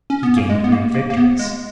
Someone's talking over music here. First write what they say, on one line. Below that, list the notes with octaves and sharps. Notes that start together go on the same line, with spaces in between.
He gained many victories.
C#4
B3
A#3
G#3
B3
A#3
A#3
A#3
B3
G#3